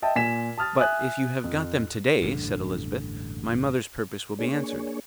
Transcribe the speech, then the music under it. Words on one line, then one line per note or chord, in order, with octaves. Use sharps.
"But if you have got them to-day," said Elizabeth, "my mother's purpose will be answered."
D#5 E5 G5 A5
A#2 G#5 B6 E7
A5 D#6 F6 A6
E5 G#5 D#6 F#6
F2
E1 A1 G2 D3
A#3 D4 G#4 C#5